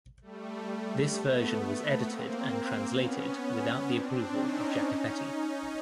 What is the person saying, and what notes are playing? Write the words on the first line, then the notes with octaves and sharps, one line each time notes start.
This version was edited and translated without the approval of Jacopetti.
G3 A3
A3 B3
A#3 C4
B3 C#4
C4 D4
C#4 D#4
C#4 D#4